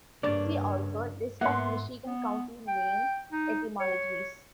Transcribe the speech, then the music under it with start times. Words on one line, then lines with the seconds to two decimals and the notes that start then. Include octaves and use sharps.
"See also", List of Michigan county name etymologies.
0.23 G2 C#3 A#3 D4 D5
1.41 G#2 A#3 B3 E5 F#5 C6
2.05 B3
2.67 G5
3.32 D#4
3.80 C#5